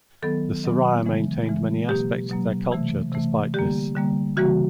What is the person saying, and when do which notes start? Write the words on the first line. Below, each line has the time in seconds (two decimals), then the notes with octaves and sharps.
The Siraya maintained many aspects of their culture despite this.
0.23 D#3 F#3 B3 A4
0.64 D#3 F#3 B3
1.05 C#3 E3 G#3
1.46 C#3 E3 G#3
1.88 B2 F#3 A#3 G4
2.30 B2 F#3 A#3
2.72 C3 E3 A3
3.12 C3 E3 A3
3.54 D3 G3 A#3 G4
3.95 D3 G3 A#3
4.37 C#3 E3 G3 A#3 F#4